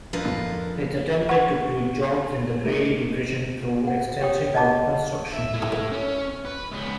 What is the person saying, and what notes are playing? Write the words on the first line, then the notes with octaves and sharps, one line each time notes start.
It attempted to create jobs in the Great Depression through extensive road construction.
F2 D3 F4 A#4 B4
B4 F#5 C#6
A3 A#3 D#4
F#5
G4 C#5 G5 D#6
D5 D#5 F#5 A5 A#5 D6
E5
A3 E4
C#4
B4
C#2 B3